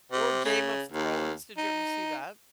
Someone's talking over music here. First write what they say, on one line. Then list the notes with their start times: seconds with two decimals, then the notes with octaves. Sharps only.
Or Game of Thrones? Did you ever see that?
0.12 C3
0.45 C#3
0.92 D#2
1.57 D#4